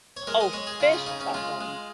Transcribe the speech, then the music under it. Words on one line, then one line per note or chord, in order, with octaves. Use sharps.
Oh, fish taco.
C#5
G#3 A#4
D#5
G#3 C#5
G#4
C#3 F4
G#4
C#3 D#4
C#4
G#3 F4
G#3